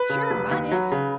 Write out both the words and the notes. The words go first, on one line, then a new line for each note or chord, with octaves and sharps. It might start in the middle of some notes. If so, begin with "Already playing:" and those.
"Sure; mine is."
Already playing: B4
C#3
F1
D#2
F#3
C#3